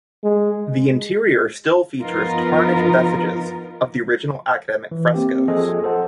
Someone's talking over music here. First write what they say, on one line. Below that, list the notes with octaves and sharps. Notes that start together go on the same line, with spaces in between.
The interior still features tarnished vestiges of the original academic frescoes.
G#3
F3 B3 D#4 F4 A#4 B4
E3
A#3 C4 G4
F3 G#4 A4 D#5
A4 C5 F#5 A5